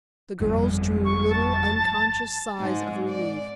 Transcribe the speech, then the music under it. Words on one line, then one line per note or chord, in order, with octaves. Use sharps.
The girls drew little unconscious sighs of relief.
G1 F2 G3
C#6
A5
G#2 G#3
D5